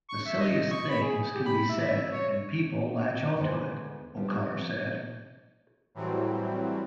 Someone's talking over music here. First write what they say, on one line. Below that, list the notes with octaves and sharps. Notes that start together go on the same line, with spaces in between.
"The silliest things can be said and people latch onto it." O'Connor said.
C#6
E5
D#5
C#6
B5
G#4
G4
B5
E5
C#5
D2 D3 G#3 B3 C5
D3 D#3 F3 G3 B3
A2 E3 F#3 G3 C4